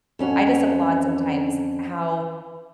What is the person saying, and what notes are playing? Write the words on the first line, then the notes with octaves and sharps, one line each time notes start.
I just applaud sometimes how
F2 C#4 F#4